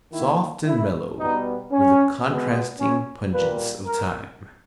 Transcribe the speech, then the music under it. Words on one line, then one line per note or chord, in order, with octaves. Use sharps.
Soft and mellow, with the contrasting pungence of thyme.
D#3 A#3 E4
E4
B2 G3 B3 D#4
C#4
B2 G#3 B3
C#4
A#2 G3 A#3 B4
A#4